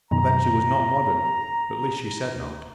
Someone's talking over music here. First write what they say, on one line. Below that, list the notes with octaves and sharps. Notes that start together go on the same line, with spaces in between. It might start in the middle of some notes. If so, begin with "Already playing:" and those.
But then she was not modern, at least she said not.
F#2 B2 D#3 A#5